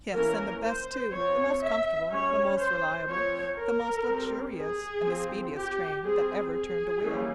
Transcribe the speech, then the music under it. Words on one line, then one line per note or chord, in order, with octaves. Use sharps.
Yes, and the best too,--the most comfortable, the most reliable, the most luxurious and the speediest train that ever turned a wheel.
E3 A#3 C#4 A#4
C5
F3 C4 C#5
E5
G3 C#4 C#5
C5
F3 C4 C#5
A#4
G3 C4
G#4
F3 C4
G4
G3 C4 G#4
G#4
E3 G3 A#3 C#4